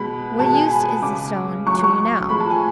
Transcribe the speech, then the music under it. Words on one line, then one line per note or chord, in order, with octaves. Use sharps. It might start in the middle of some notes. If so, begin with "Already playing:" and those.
What use is the stone to you now?
Already playing: B2 G#3 B5
B2 G#3 A5
G#5
B5
C#3 G#3 D6
A2 F#3 C#6
D6
C#6
A2 F3 G#3 B5
A5
G#5